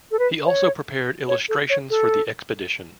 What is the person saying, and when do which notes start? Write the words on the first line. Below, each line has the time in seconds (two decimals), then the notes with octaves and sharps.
He also prepared illustrations for the expedition.
0.11 A4
0.19 B4
0.46 C#5
1.28 C#5
1.49 A4
1.70 C#5
1.90 A4